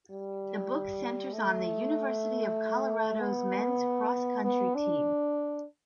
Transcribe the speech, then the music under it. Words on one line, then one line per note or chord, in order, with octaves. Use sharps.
The book centers on the University of Colorado's men's cross country team.
G3
A3
B3
B3
D4